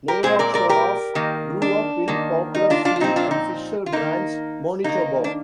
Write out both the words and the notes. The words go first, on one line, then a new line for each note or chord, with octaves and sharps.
Nevakshonoff grew up in Poplarfield and Fisher Branch, Manitoba.
G4 A#4
A#2 G#3 C4 G#4 C5
A#4 D5
A#4 D5
G4 A#4
D#3 A#3
D4
D#3 A#3
D#4
D4 F4
D4 F4
D4
A#2 F3 C4 D#4
D4 F4
D#4
F4
D#3 A#3 D#4
D#3 A#3 D#4
D4